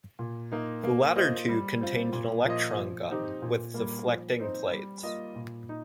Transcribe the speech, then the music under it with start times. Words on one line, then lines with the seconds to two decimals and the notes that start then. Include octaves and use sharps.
The latter two contained an electron gun with deflecting plates.
0.19 A#2
0.52 A#3 D#4
0.84 A#3
1.16 F4 C5 D#5
1.48 G3
1.81 C4 F4
2.13 A#2
2.45 F3 A#3 F4 D#5
2.77 F3
3.10 C4 D#4 G4
3.42 A#2
3.74 G3 A#3
4.07 F3
4.40 C4 D#4 C5
4.71 G3
5.03 A#3 F4 D#5
5.36 A#2
5.69 D#4